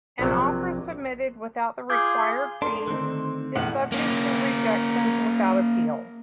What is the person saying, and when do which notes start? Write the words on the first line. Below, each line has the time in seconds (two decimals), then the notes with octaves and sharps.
An Offer submitted without the required fees is subject to rejections without appeal.
0.19 A#1 C3 F#3
1.90 F4 G#4 C6 D6 G6 G#6
2.62 D4 A4 A#4 C6
2.88 D3 D#3 A3 C4 D#4
3.55 A1 B2 F#5
3.92 A#3 C#4